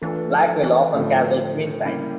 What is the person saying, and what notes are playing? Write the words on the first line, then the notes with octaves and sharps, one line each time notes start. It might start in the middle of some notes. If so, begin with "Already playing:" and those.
Black will often castle queenside.
E3 A3 D4 F4 A4
F3
E3
A2 D3 F3 A3
C#3 G3 A#3 E4 G4